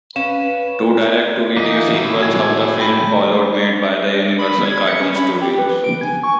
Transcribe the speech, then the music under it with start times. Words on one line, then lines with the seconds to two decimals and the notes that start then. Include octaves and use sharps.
Two direct-to-video sequels of the film followed, made by the Universal Cartoon Studios.
0.16 C#4 B4 F5 E7
1.57 E3 A#3 D#4 D#5
1.94 A2 E4 F#4
2.22 G#5
2.80 G5 B5
4.39 B5
4.65 G#6
4.88 C#7
5.00 C#4
5.16 B5
5.42 G4
5.59 B4
5.84 D7
6.01 G#5
6.23 C#6